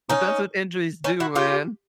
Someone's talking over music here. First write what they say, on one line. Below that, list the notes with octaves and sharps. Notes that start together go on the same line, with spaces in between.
But that's what injuries do, man.
C#4 D#4
C#4 D#4
E4 F#4
F4 G4